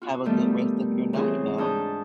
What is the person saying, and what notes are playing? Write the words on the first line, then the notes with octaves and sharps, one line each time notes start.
Have a good rest of your night now.
F4 F#4
D#3 G3 A3 B3 G4 A4
C#3 E3 C4 F4 G#4
G#2 D4 A5 D#6 G6